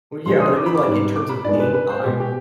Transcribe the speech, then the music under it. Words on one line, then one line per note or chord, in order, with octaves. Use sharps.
Well yeah, but I mean, like, in terms of game time,
F2 D3 F3 G#3 B3 C6
D#6
D6
B5
D6
G#2 G3 B3
D6
B5
G2 D#3 G#3 B3 D5
B4
B4
C5
B2 G#3 B3 G4
G4